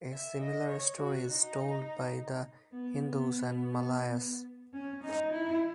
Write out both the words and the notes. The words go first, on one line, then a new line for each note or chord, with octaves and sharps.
A similar story is told by the Hindus and Malays.
E5
D#5
C#5
F#4
D#4
B3
B3
C#4
D#4
E4